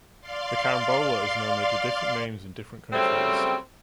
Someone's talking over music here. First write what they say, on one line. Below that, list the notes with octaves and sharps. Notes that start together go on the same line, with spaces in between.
The carambola is known under different names in different countries.
D5 F5 C6
C#3 F#3 G3 A3 C4